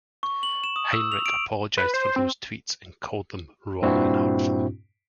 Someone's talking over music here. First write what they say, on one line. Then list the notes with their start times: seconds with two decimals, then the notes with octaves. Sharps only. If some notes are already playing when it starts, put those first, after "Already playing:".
Heinrich apologized for those tweets and called them "wrong and hurtful".
0.23 C#6
0.43 F#7
0.64 E7
0.76 D#6
0.93 E6
1.12 F7
1.26 D7
1.78 B4
1.94 C5
2.16 C4
3.82 G2 A#2 C4 D4 E4 F#4